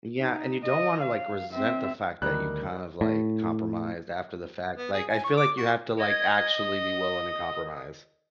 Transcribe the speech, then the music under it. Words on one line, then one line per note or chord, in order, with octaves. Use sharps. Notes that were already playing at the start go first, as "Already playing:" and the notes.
Yeah, and you don't wanna, like, resent the fact that you kind of, like, compromised after the fact. Like, I feel like you have to, like, actually be willing to compromise.
D#4
D#5
F5
C4 E5
D2 D#3 G3 D#4 E4 A#4 F#6
A2
B3
G#4
G#5
C#6
D6
F#4
D#5 G#6
D#6